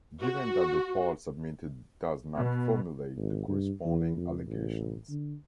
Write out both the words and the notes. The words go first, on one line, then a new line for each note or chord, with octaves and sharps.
Given that the part submitted does not formulate the corresponding allegations.
F#4
B2
G#1
G2
E2
F2
A1
D3